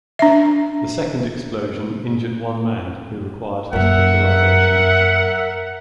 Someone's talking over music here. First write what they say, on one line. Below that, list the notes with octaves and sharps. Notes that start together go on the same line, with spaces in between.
The second explosion injured one man, who required hospitalization.
D4 E5
F#2 A#2 A#4 E5 F#5